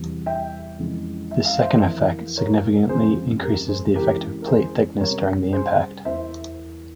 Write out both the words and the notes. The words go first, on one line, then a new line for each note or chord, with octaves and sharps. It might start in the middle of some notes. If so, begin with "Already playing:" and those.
This second effect significantly increases the effective plate thickness during the impact.
Already playing: E2 C3 E3 G3
E5 G5
F2 C#3 E3 G#3
E5
F5
C5 E5
F2 E3 A#3
A#4 C#5
C#3 F3 G#3 C4 G#4 C5
G4 A#4
G#4 C5
C#3 E3 G#3 C4 G4 A#4
A#4
G#4 C5
C3 G3 C#4 A#4 C#5
G#4 C5
E2 E3 A#3 C5 E5